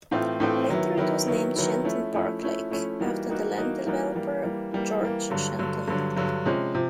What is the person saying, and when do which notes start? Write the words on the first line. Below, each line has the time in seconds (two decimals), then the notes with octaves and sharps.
Later it was renamed Shenton Park Lake, after the land developer George Shenton.
0.11 A2 E3 A3 C4 F4
0.40 A2 E3 A3 C4 F4
0.69 D#3 F#3 B3 E4
0.97 D#3 F#3 B3 E4
1.26 D#3 F#3 B3 E4
1.56 D#3 F#3 B3 E4
1.84 F3 A3 C#4 E4
2.12 F3 A3 C#4 E4
2.42 F3 A3 C#4 E4
2.70 F3 A3 C#4 E4
3.00 E3 G3 A#3 D#4 F#4
3.28 E3 G3 A#3 D#4 F#4
3.57 E3 G3 A#3 D#4 F#4
3.86 E3 G3 A#3 D#4 F#4
4.15 E3 G3 A#3
4.43 E3 G3 A#3
4.72 E3 G3 A#3
5.01 E3 G3 A#3
5.30 G2 D3 F#3
5.59 G2 D3 F#3
5.88 G2 D3 F#3
6.17 G2 D3 F#3
6.45 C3 F3 G#3 C#4
6.75 C3 F3